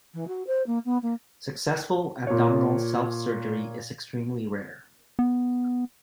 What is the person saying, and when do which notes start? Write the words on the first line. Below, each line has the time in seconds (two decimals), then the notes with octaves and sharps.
Successful abdominal self-surgery is extremely rare.
0.14 E3
0.28 F#4
0.47 C5
0.67 A#3
0.85 B3
1.02 A#3
2.27 A#2 C#5
5.19 B3